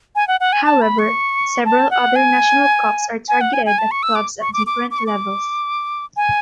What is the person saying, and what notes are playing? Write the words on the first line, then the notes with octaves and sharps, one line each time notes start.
However, several other national cups are targeted at clubs at different levels.
G#5
F#5
F#5
G#5
A5
B5
C#6
A5
F#5
G#5
G#5
F#5
G#5
G#5
A5
C#6
E6
D6
C#6
D6
D6
D6
C#6
D6
G#5